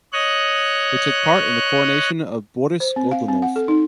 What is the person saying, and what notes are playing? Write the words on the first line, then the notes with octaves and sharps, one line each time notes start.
He took part in the coronation of Boris Godunov.
C#5 D#5 F#6
C5
C4
F5
C4
F#5
A4
D#4